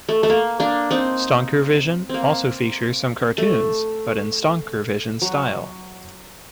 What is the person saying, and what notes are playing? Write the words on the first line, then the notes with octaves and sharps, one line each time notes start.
"Stankervision" also features some cartoons, but in "Stankervision" style.
A3
A3
A#3
A#3 D4
C4 D#4
A#3 C4
A3
F#3